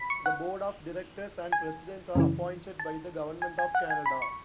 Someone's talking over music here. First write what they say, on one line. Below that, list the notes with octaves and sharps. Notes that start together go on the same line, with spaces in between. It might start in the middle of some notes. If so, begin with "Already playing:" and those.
The board of directors and president are appointed by the Government of Canada.
Already playing: B5
C#6
F#5
G#5
F#2 C#3 E3
A5
G#5
G#5
F#5
G#5
B5
C#6